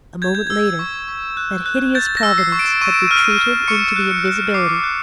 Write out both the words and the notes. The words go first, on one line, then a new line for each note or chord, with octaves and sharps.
A moment later, that hideous providence had retreated into the invisibility.
G6 G#6
G6
E6 G#6
C#6
C#6
F#6
F#6
G6 A6
A#6
E6
C7
C#6
D7
C#6 D#7
D7
D#7
F6
D#7
F6
C#6 C#7
F#6
C#7
F#6
D6 C7
F#6